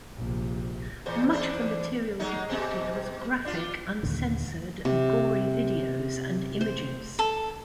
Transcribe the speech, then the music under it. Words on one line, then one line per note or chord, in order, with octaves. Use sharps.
Much of the material depicted was graphic, uncensored, gory videos and images.
A#1 C3
E2 A#2 C5
E2 D4 C5
F#3 G#3 D#4
B2 G#3 C4
D4 F4
D#2 A#2 D3
C3
C5
A4